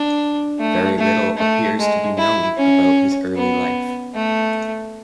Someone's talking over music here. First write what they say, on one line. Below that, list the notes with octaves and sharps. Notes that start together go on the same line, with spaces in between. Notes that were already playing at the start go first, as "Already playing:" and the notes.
Very little appears to be known about his early life.
Already playing: D4
A3
A3
A3
G#3
E4
C#4
B3
A3